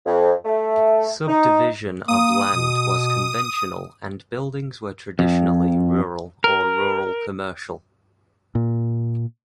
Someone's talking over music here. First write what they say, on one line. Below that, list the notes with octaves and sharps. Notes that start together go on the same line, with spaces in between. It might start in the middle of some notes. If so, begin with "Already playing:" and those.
Subdivision of land was conventional and buildings were traditionally rural or rural commercial.
F2
A3
D#4
A#3 D#6
B2
F2
A#4
A#2